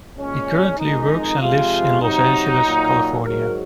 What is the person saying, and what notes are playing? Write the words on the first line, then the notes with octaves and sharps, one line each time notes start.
He currently works and lives in Los Angeles, California.
A#2 G#3 C#4
F2 D#3 G#3 D#4
C3 F3 G#3 F4
C3 F#3 D#4
A#2 F#3
G#2 F#3 A#4